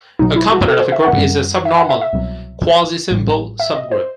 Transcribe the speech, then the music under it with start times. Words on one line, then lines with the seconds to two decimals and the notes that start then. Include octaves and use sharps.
A component of a group is a subnormal quasisimple subgroup.
0.19 B1 B2 F#3 D#4
0.36 E4
0.52 F#4
0.68 A4
0.80 C5
0.92 E5
1.04 F#5
1.17 F#2 D#3 G3
1.65 E5
1.77 F#5
1.89 E5
2.01 E5
2.13 C2 B2 F#3
3.10 A1 A2 G3
3.60 E5
3.75 D#5
3.92 C5